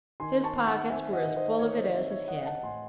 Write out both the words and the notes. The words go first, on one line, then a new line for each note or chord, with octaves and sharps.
His pockets were as full of it as his head.
D#3 G#5 C6
A5 C#6
D#3
F#5 A5
C4 E5 G#5
D#5 F#5
D#3
C5 D#5
E3 C#5
C5 D#5
C4 C#5 E5
C#5 E5
C4 D#5 F#5
F#5 A5
A2 G#5 C6